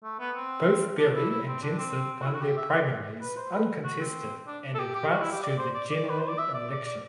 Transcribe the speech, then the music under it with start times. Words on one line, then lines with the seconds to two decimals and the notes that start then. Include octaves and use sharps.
Both Berry and Jensen won their primaries uncontested and advanced to the general election.
0.03 A3
0.19 B3
0.35 C4
0.99 D4
1.15 E4
1.30 E4
1.47 C4
1.63 D4
1.78 C4
2.22 F#4
2.26 E4
2.34 F#4
2.42 G4
2.57 E5
2.73 D5
3.21 B4
3.37 C5
3.52 B4
3.84 F#4
4.00 C4
4.47 D4
4.75 A4
4.79 G4
4.95 G4
5.11 F#4
5.21 E4
5.32 G4
5.43 D5
5.58 C5
5.74 D5
5.91 D5
6.10 B4
6.20 C5
6.28 D5
6.38 E5
6.54 D5
6.70 D5
6.85 D5